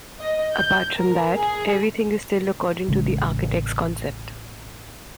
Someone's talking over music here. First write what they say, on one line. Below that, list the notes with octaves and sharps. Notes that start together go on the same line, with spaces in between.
Apart from that, everything is still according to the architect's concept.
D#5
G6
A#4
G#4
A1 C#3 G#3